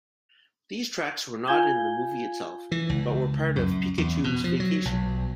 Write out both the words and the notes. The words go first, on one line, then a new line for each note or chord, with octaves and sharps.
These tracks were not in the movie itself, but were part of "Pikachu's Vacation".
F4 F5 G#5 G6 G#6 G7
E3
C#2
F#2
F#2
E2
B2
F3
F#3
B1